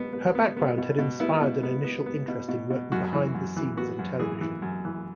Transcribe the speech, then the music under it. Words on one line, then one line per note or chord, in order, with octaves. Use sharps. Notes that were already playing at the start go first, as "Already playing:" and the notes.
Her background had inspired an initial interest in working behind the scenes in television.
Already playing: B2 B3
B3
B3
B3
B2
B2
B3 E4
B2
B3
B3
B3
B2
B2
B2
F#2 F#4
E3
F#2
E3
B3 F#4
F#2
E3 G#4
E3
F#2
E3